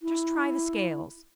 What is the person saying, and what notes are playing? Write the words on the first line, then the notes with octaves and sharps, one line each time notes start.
Just try the scales.
E4